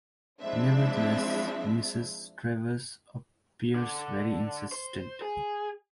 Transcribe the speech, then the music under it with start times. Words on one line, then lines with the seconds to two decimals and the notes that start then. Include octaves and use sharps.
Nevertheless, Mrs. Travers appears very insistent.
0.40 F3 G#3 C4 D4 E4 E5
3.75 D3
4.72 C5
5.22 G#4